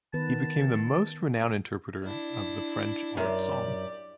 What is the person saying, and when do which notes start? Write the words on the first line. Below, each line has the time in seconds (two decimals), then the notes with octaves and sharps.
He became the most renowned interpreter of the French art song.
0.14 D#3 B3 B4 A5
2.03 D4 E4
3.17 F#2 G4 D5